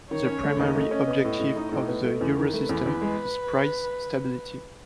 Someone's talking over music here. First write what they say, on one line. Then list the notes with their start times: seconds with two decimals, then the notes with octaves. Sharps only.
The primary objective of the Eurosystem is price stability.
0.11 D#3 C#5
0.26 C#4
0.43 A3
0.59 D#2 D#5
0.75 A3
0.91 C#4
1.07 B3
1.24 A2
1.39 A2
1.56 D#4
1.72 A2
1.88 B3
2.04 A3
2.21 E2
2.36 D#3
2.53 A3 B4
2.69 E2
2.86 E2
3.02 G#3